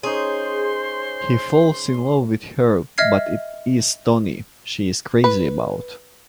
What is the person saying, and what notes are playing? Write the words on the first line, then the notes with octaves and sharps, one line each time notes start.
He falls in love with her but it is Tony she is crazy about.
C#4 D#4 G#4 C5 C6
D#5 E5 F6 G#6 C7
B4